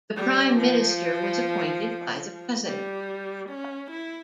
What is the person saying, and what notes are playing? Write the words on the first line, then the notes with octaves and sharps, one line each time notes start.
The Prime Minister was appointed by the President.
G3
F3
G3
C#4
E4